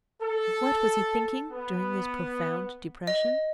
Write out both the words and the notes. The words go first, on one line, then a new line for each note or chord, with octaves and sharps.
Of what was he thinking during this profound depression?
A4
B3
D#5